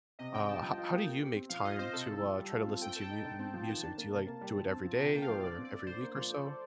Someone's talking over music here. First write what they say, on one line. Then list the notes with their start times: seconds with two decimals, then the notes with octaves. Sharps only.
uh, how how do you make time to, uh, try to listen to mu music? Do you, like, do it every day or every week or so?
0.19 C3 D#5
0.33 D4 G5
0.48 G3 A5
0.63 F3
0.78 F4
0.92 A#3
1.07 A3
1.21 G4
1.35 C4
1.49 F3 F5
1.65 F4 D#5
1.79 C4 C5
1.93 C3 A4
2.09 A3
2.23 F3
2.37 G3
2.52 F4
2.67 C4
2.81 A3 G5
2.93 A4 A5
3.04 G5
3.10 D#4
3.25 D3
3.39 C4
3.54 F3
3.68 D#3 A5
3.83 D4
3.97 A#3
4.12 C3
4.27 A#3
4.41 G3
4.56 D3
4.70 C4
4.85 F3
5.00 C3 G5
5.15 A#3
5.22 F5
5.29 F3
5.43 D3 D5
5.58 C4
5.65 D5
5.73 A3
5.86 D3 C5
6.02 A#3
6.16 F3
6.31 A3
6.46 A4